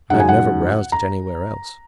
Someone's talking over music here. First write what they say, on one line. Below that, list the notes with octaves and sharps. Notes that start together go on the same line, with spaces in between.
I have never roused it anywhere else.
F#2 C#3 G#3 D#4 F#5
G#5
F#5
A#5